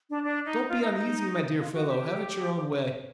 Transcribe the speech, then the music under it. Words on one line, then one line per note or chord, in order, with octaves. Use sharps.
Don't be uneasy, my dear fellow, have it your own way.
D4
D4
D#4
F4
D#4
E4
D#4
F4
F#4
G4